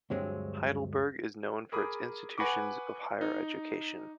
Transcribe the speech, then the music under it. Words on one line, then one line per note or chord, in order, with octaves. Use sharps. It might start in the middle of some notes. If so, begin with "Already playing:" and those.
Heidelberg is known for its institutions of higher education.
D2 G2 F#3 G#3 C4
G#4 A#4 B5 D6 D#6
B4 F#5 G#5 B5 C#6 D6
D#4